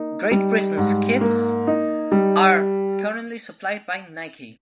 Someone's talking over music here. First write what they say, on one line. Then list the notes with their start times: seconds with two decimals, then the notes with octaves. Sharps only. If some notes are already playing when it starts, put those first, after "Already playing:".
Great Britain's kits are currently supplied by Nike.
Already playing: A#3 D#4
0.31 G3
0.77 G#2
1.21 A#3
1.67 D#4
2.12 G3